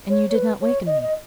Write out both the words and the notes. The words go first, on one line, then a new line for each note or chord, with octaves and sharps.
"And you did not awaken me?"
C#5
C#5
B4
C#5
D#5
D#5